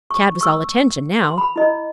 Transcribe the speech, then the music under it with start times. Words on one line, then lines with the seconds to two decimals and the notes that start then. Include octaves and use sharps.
Tad was all attention now.
0.11 C#6
0.41 C#6 E6
1.24 C6
1.38 B5
1.56 E4 D#5